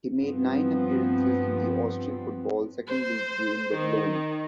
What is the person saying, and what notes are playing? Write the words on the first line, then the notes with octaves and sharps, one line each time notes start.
He made nine appearances in the Austrian Football Second League during the loan.
G2 F3 B3 C4
C5
D#3